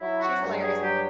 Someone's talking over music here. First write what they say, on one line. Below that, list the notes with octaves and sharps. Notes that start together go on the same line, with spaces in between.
she's hilarious,
F#3 E4
F#4
G2
G#4
F#3 G4